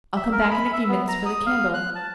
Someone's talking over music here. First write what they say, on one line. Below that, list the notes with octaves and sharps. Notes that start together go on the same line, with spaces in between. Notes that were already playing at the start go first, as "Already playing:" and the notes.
I'll come back in a few minutes for the candle.
E5
A#4
B5
E5
B3
A#5
D#6
F5
F#6
A5